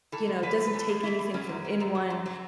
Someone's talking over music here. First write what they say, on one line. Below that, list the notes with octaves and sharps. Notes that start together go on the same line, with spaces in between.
you know, doesn't take anything from anyone,
E3 A4
E2
E3 B4
E2
B4
E3 A4
E2
E3 E4
E2
F#3 C#4
F#2
F#3
F#2
F#3
F#2
F#3